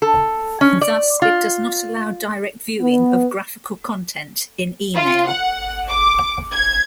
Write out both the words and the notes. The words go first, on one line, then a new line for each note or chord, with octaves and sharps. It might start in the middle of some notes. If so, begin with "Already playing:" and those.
Thus it does not allow direct viewing of graphical content in email.
A4
C#4
D5
F4
B3
F4
F#5
D6
G#6